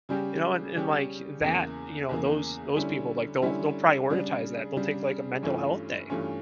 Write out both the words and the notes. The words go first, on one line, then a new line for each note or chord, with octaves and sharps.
you know? And and, like, that you know, those those people, like, they'll they'll prioritize that, they'll take, like, a mental health day
C#3 G3 C#4 G4
C#3 G3 C#4 G4
E2 C#3 E3 A#3
E2 C#3 E3 A#3
D3 G3 C#4 E4
D3 G3 C#4 E4
C#3 G3 D4
C#3 G3 D4
G2 E3 A3 C#4 F4
G2 E3 A3 C#4 F4